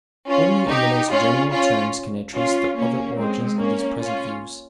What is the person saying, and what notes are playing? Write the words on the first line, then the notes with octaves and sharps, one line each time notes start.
Only in the most general terms can I trace the other origins of these present views.
C#4 F4
D#4 G4
C#4 F4
C#4 F4
C#4 F4
A#3 C#4
G#3 C4
A#3 C#4
C#4 F4